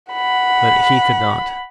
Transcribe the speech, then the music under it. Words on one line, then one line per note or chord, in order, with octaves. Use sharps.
But he could not.
F#5 B5